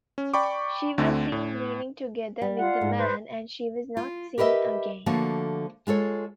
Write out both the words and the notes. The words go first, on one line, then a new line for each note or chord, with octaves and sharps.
She was seen leaving together with a man and she was not seen again.
C#4
D5 G5 B5 C#6 D6
D2 D3 A3 C4
A2
G3
F4 F#5
G#2
B4 C5
F4
G4 A#4 B4 D#5 E5
D3 F3 A3 A#3 F#4
G#3 F4 A4 C#5